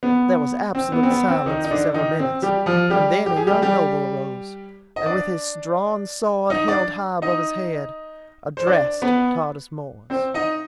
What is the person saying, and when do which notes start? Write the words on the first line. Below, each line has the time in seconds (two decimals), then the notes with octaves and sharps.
There was absolute silence for several minutes, and then a young noble arose, and with his drawn sword held high above his head addressed Tardos Mors.
0.03 B3
0.75 C4
0.92 B3
1.03 C4
1.11 B3
1.28 C4
1.46 D#3 D#4
1.65 D#4
1.71 D3 D4
1.94 D#3 D#4
2.19 C4
2.42 G3 G4
2.66 F3 F4
2.90 G3 G4
3.26 G4
3.36 G#4
3.47 G3 G4
3.62 G3 G4
4.96 D#5
5.06 D4 D5
6.50 D#4 D#5
6.68 D4 D5
7.22 D#4 D#5
8.57 C5
8.67 D4 D5
9.02 B3 B4
10.10 C4 C5
10.34 D#4 D#5